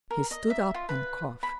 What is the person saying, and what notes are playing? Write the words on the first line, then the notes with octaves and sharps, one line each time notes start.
He stood up and coughed.
A#4
D#5
E5
F4
B4
B5